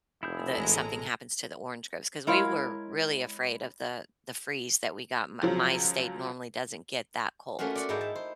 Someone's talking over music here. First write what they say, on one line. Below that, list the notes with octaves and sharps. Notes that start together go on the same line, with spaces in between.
that something happens to the orange groves. 'Cause we were really afraid of the the freeze that we got. M my state normally doesn't get that cold.
F1 E4 G#4 G6
A1 G#3 A4 A#5
G#3 E4 A#4 C#5 F5
C#2 F3 F#3
A3 A#3 C#4 F4 F#4
D5 F#5
G#2 D#4 E4 G5 A5 A#5
A5
C5